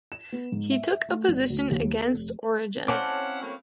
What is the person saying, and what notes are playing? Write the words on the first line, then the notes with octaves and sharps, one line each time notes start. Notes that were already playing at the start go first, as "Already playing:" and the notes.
He took a position against Origen.
E7
B3
G#2
E5
E5
A3
G#1
D2
D#2
A4
F1
C4 C#4 E4 C#5 F5 F#5 A5 D6
A2 F#3 A#3